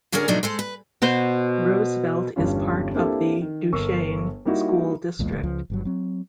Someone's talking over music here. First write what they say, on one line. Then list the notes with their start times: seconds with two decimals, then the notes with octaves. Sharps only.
Roosevelt is part of the Duchesne School District.
0.12 D3 F#3 C#4 G#4 A#4 D5
0.28 B2 F3 F#3 A3 D4 D#4
0.43 G#3 A4 C5
0.59 B4
1.02 B2 F#4 C5 C6
2.36 G1 E2 G2 G3 C#4 F4
2.95 A#3 C4 D4 E4 G4 A4
3.42 D#3
3.73 G1 A#4 C#6 E6
4.45 G3 A#3 D#4 E4 F#4
5.19 B1 E2 A#2 G#3
5.32 D1 D2
5.43 C#2 F3
5.70 G1 G2 F#3
5.85 F#3 C4